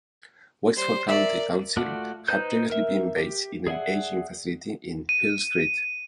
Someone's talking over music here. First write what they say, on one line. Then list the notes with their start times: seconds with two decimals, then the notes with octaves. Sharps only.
Wexford County Council had previously been based in an aging facility in Hill Street.
0.76 G3 C5
1.09 A#4 D5 E5
1.77 A3 F4 F#4 D5
2.28 D#4 B4 C5 G6
2.70 A#4 E5
3.17 G4
3.67 G#4 D5 E5 F#5
5.09 D#7